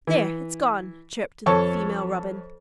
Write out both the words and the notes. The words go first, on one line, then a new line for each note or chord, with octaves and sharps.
"There, it's gone!" chirped the female robin.
E3
F2 A4 C#5 A5 C#6